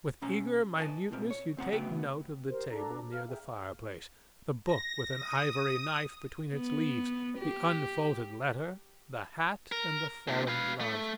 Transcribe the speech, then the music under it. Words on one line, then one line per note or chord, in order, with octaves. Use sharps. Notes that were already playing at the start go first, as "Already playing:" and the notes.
With eager minuteness you take note of the table near the fireplace, the book with an ivory knife between its leaves, the unfolded letter, the hat and the fallen glove.
B2 C#4 A#5
B4 D#5 F5 G#5 A5
C2 A#2 C4 A#4
C#5
C#2 C4 F#5 A#5
D2 C#3 A3 B3 F#4 G5
G4 A#4 C5
D4 F#4 A4 A#5
F5 F6
G#4 E5 G5
A#6
D#6
B3
G4
A#4
A#2 D3
B4 F5
A3